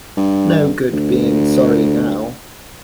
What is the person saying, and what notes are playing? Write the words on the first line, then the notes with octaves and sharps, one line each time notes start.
No good being sorry now.
G2
D2